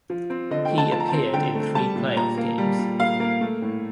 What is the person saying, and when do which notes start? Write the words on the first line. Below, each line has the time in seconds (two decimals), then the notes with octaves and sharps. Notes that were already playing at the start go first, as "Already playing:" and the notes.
He appeared in three playoff games.
0.10 F3
0.30 C4
0.51 D3 D#5
0.65 G5
0.71 A3
0.78 A5
0.92 F3 A5
1.00 A#5
1.09 A5
1.13 C4
1.33 D3 G5
1.55 A3
1.75 G3 A5
1.96 A#2
2.16 A#2 A#5
2.37 A#3
2.58 G3
2.79 A#2
3.00 A#2 F5
3.20 A#3
3.41 A3
3.62 A2